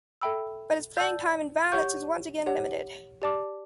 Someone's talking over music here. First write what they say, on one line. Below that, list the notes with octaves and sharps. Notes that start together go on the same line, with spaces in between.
But his playing time in Valence is once again limited.
A4 E5 G5 B5 E6
D5 A5 E6 G6
G4 C#5 F#5 C#6 G6
G4 C#5 F#5
G4 D5 A5 D6